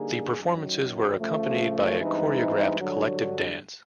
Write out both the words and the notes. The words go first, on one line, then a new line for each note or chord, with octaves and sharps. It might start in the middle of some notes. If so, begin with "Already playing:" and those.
The performances were accompanied by a choreographed collective dance.
Already playing: D3 G3 A#3 D#4 G#4
F#2 D#3 F#3
C#3 F3 A3
G2 E3 G#3 C4 D#4
G2 D3 F#3